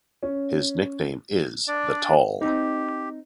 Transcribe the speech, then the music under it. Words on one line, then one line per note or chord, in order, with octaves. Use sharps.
His nickname is "The Tall".
C#4
D4 D5
C4 D#4 G4